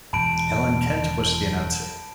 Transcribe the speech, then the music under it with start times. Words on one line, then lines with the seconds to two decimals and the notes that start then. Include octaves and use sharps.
Alan Kent was the announcer.
0.13 E1 E2 A5 B5 D7